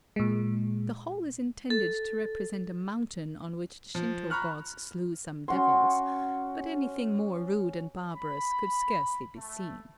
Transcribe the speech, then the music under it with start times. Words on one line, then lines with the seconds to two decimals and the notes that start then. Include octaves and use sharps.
The whole is intended to represent a mountain on which the Shinto gods slew some devils, but anything more rude and barbarous could scarcely be seen.
0.16 A#2 G#3
1.70 A4
3.95 F3
4.30 A#5 B5 C#6 F6 F#6
5.48 C#4 F#4 C6
8.11 B5
9.36 A3